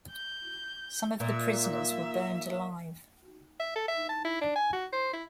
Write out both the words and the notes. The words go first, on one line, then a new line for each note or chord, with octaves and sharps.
Some of the prisoners were burned alive.
G6
A#2 E5
E5
A4
E5
A5
E4
D4
G#5
F#4
C5
E4